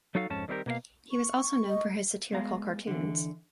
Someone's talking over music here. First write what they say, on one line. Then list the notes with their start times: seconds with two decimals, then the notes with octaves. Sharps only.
He was also known for his satirical cartoons.
0.15 F#3 D#4 F#4 A4 F5
0.30 F2 G#2 C#4 A5
0.48 D#3 G3 C4 E4 G4 A#4
0.66 B2 A#3 A#4 F5
1.10 C#6
1.68 D#5
2.32 G#3 B3 F5 A#5
2.87 D3 E3